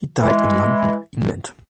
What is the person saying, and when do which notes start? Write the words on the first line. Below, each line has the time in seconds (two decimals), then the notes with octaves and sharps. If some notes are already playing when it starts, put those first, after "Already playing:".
He died in London, England.
0.22 E3 G#3